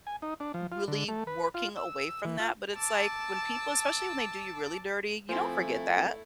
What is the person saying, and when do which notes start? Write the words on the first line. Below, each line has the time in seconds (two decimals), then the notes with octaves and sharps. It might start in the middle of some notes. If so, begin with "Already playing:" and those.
really working away from that, but it's like, when people especially when they do you really dirty, you don't forget that.
0.07 G#5
0.22 D#4
0.40 D4
0.54 F3
0.72 F4
0.88 D3
1.08 A3
1.27 B4
1.54 F4
1.77 E6
2.25 E3
2.40 F4
2.75 A5 D6 E6
5.29 F3 A3 C4 E4 G#5